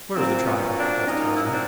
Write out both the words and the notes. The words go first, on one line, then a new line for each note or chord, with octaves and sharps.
"Where is the tribe?" asked Tarzan.
A#2 F#3 A#3 C4
B3 C#4
C4 D4
A#2 F#3 A#3 C#4 D#4
E4
D#4
C4 D4